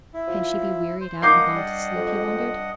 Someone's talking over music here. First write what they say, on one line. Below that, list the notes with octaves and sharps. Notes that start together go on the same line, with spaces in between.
Can she be wearied out, and gone to sleep, he wondered.
E4
F3
C5
G2 A#3 D#5 F#5 D6 G6 C7
G3
F2